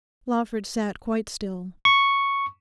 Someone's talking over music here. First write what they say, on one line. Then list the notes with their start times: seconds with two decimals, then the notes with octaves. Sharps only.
Lawford sat quite still.
1.85 C#6